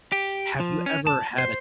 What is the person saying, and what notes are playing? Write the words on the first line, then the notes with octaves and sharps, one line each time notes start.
have you ever had a
G4
F3
C#4
A5
C5